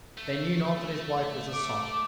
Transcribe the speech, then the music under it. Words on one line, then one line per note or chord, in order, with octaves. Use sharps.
They knew not that his wife was a sot.
A3
D6